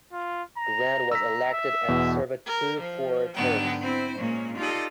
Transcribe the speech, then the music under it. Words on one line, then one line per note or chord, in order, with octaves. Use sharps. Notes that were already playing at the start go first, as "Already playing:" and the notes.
Grant was elected and served two four-year terms.
F4
A#5
A#5 E6 B6
E5
E2 B2
A#4
F3
G#2 D3 F#3 B3 G5
C4 E4 C5
A#2 G#3 A#3 C#4
D#4 F4 G4 A4 D5 D#5